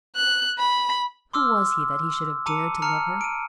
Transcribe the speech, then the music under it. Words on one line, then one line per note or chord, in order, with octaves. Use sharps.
Who was he that he should have dared to love her?
F#6
B5
C6 D6 E6 F6
A5 A#5 D6 C#7 D#7
A5 A#5 F6 C#7
D7 D#7